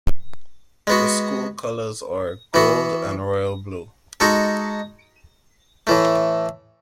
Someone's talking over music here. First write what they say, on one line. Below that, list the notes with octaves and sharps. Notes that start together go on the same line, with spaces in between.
The school colors are gold and royal blue.
G#3 B3 F#4
E3 B3 F#4
G#3 D#4 F#4 A4
A2 E3 A3